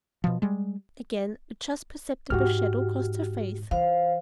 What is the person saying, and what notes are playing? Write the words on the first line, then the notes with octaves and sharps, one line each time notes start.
Again a just perceptible shadow crossed her face.
B2 F3
G3 G#3
G#2 G#3 F#4 G4 F6
E3 C5 F5